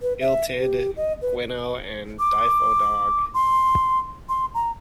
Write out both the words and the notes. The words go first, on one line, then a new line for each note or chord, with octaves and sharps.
Illtyd, Gwynno, and Dyfodwg.
B4
E5
G4
D#5
B4
D6
C6
C6
A#5